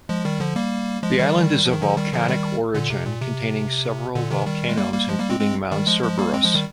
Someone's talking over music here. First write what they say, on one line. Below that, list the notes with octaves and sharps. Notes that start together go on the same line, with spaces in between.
The island is of volcanic origin, containing several volcanoes including Mount Cerberus.
F3 G#3
D#3 G3
D3 F3
G3 A#3
F3 G#3
D#3 G3
F3
D#3
D3 F3
D#3 G3
D3 F3
D#3 G3
A#2 D3
C3
A#2
C3
A#2 D3
C3 D#3
D#3 G3
G#3
G3 A#3
G3 A#3
F3 G#3
G3 A#3
G#3 C4
G#3 C4
D#3 G3
F3 G#3
F3 G#3
G3 A#3
G#3 C4
F3 G#3
D#3 G3